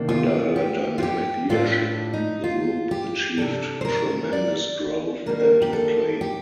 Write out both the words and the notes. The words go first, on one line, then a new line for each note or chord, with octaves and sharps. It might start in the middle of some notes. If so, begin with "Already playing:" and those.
Under her dynamic leadership, the group achieved tremendous growth and acclaim.
Already playing: C3 D#3 A#3 D4
F4
G4
F4
G4
A2 A3 D4 F4
D#4
F4
G4
C3 G3 D4 A4
C5
A#4
D5
D#3 G3 A#3 D4 A#4
G4
A4
G4